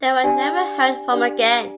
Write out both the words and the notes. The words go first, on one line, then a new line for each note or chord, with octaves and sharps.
They were never heard from again.
D4 G4 D5 G#5
D4 G4 D5